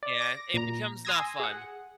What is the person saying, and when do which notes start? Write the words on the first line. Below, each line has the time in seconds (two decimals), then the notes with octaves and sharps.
Yeah. It becomes not fun.
0.03 D5
0.21 D6 A#6
0.54 A#2 A#5
1.05 G#5 C6 D#6 E6 G#6 A#6
1.40 G#4 F#5